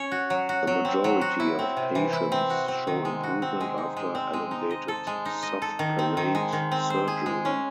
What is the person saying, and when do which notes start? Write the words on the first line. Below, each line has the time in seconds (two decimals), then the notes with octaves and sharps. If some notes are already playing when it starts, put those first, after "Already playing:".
The majority of patients show improvement after elongated soft palate surgery.
Already playing: C#4 C#5
0.12 F#4
0.30 F#3
0.49 F#4
0.67 F#3
0.85 C4
1.04 F#3
1.21 F#4
1.40 E4
1.59 C4
1.77 C3
1.95 E3
2.13 E4
2.32 C4
2.50 F#4
2.68 C4
2.87 D#3
3.05 G#3
3.23 F#4
3.42 C4
3.60 G#3
3.78 D#4
3.97 G#3
4.15 C4
4.33 G#3
4.51 D#4
4.70 D#5
4.88 A4
5.07 G#3
5.25 D#4
5.42 D#5
5.62 A4
5.79 D#3
5.99 C4
6.17 D#3
6.35 G#3
6.53 D#3
6.72 C4
6.90 C5
7.08 G#4
7.26 G#3
7.45 C#4